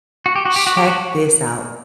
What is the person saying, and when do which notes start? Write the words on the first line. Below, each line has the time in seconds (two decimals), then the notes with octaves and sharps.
Check this out.
0.26 F#4
0.36 G4
0.46 F#4
0.56 G4
0.67 F#4
0.77 G4
0.87 F#4